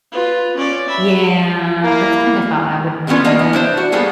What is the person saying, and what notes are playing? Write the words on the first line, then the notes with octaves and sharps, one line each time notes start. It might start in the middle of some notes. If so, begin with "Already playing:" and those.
Yeah, that's kind of how I would measure it.
F4 B4
C#4 D5
E5 B5
A#3 E4
D3 G3 B3 C#4 F4
A#3 D4 D#4 D#5
B3
D4 E4 C5
F#4
G3 A#3 B3 G#4 A4